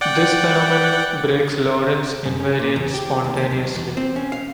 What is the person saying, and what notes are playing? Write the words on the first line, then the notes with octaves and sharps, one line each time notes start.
This phenomenon breaks Lorentz invariance spontaneously.
D5 F#5 G5
F#2
C#4
A#2
E2
G4
D#2
B1
E2
C4
C#4
F5